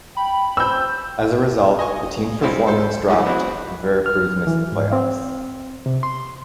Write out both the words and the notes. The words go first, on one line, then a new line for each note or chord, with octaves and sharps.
As a result, the team's performance dropped and Veracruz missed the playoffs.
G5 B5
C4 E6 G6
D#5 G#5 C#6
G3 G#3 C4 E4 F4
A4 C5
G#2 C#3 E3
B3 C4 D4 E4 F#4
F6
E3
G#2
C4
C3
C6